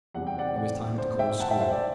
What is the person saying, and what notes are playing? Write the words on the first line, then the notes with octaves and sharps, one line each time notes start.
It was time to close school.
E2 C3 G3 F#5
G5
D5 F#5
D5
C5
E5 G5
F#5 A5
E5 G5
C5 E5
D5